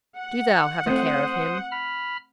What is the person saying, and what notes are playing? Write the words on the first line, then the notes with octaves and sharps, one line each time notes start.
Do Thou have a care of him.
F#5
A3 C4 C5 D#6
B5 F6